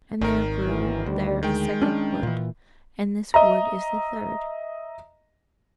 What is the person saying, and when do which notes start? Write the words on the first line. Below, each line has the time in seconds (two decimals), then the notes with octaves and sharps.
And there grew there a second wood, and this wood is the third.
0.21 G#1 D#3 A#4
0.65 G1 F#2 E3
1.06 D2 D#3 G3
1.43 D#3 G#3 G5
1.82 C#4 D4
2.23 A#2 E3
3.34 D#5 E5 A#5